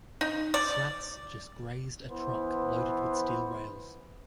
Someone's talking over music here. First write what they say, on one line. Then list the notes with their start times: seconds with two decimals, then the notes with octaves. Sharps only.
Slats just grazed a truck loaded with steel rails.
0.21 D#4
0.54 D5
2.10 E3 B3 C5